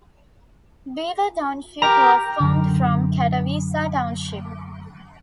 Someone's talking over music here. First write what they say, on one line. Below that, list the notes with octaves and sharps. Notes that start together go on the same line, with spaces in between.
Beaver Township was formed from Catawissa Township.
G4 A#4 A#5
F#2 D3